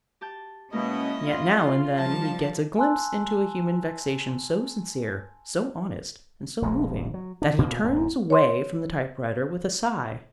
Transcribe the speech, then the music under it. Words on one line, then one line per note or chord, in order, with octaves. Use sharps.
Yet now and then he gets a glimpse into a human vexation so sincere, so honest, and so moving that he turns away from the typewriter with a sigh.
G4 A5 G6
B2 G#3 A#3 C#4 E4 A#4 D#5
F4
F3 G3 A5 A#5
G#5 A5 C6 E6 F#6
D#1 A#1 G#3
F#3
D4
A#2 C#3 A#3 C4
D1 F#2 A#3 C4
C#5 C6